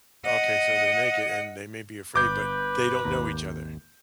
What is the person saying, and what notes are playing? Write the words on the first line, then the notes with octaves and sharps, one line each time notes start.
Okay, so they're naked, and they may be afraid, but they don't know each other.
D#5 F#5
G1 B4 D6 G6
G#1 D#2 A#5